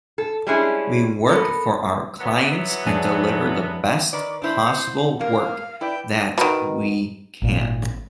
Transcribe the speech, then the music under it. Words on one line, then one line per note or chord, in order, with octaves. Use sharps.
We work for our clients and deliver the best possible work that we can.
A4
G3 G#3 C#4 D4 E4 G#4
B3 A4 A#4
E3 F#3 B3
F2 D4 G#4
D#3 B4 D5 D6
D4 E4 C5
F#5
G2 A#3 F5
E4 B4 D5 G5
B2 D#3
G#1 A#2